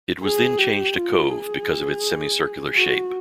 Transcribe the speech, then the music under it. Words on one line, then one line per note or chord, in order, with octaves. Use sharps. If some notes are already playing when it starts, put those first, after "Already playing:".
It was then changed to Cove because of its semicircular shape.
G#4
G4
F4
G#4
F#4